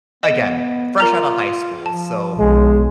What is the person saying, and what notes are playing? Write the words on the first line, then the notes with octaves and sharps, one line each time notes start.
again, fresh out of high school. So,
B3 D#5 E7
F4 A#4 A#5 F6
F3 A5
B1 G#3